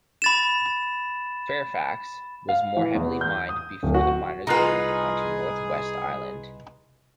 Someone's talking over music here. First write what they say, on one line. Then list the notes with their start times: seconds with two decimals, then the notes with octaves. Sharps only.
Fairfax was more heavily mined before the miners moved onto North West Island.
0.22 B5 A6 E7
2.49 F5
2.77 E3
2.95 E2
3.21 G6
3.49 D#6
3.83 D1
3.94 F#4
4.47 C2 D#4 F4 G#4 B4 F#5